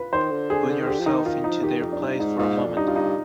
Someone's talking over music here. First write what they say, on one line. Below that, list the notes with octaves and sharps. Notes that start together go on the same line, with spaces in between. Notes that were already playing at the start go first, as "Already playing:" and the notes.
Put yourself into their place for a moment.
Already playing: F4 B4
D#3 C5
D3
D3 G#4
D3
D#3
D3 G4
F3
D#3 D#4
D#3 F4
F3 D#4
D#3 G4
F2
D4
G2 D#4
G#2 D#4
G#2 F4
D4
F2
G2 D#4
F4
D#4